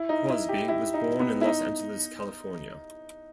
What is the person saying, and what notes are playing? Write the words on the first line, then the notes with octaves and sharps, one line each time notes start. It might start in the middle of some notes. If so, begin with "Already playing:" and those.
Crosby was born in Los Angeles, California.
Already playing: E4
D#4
E4
G4
E4
D#4
B3
E4
D#4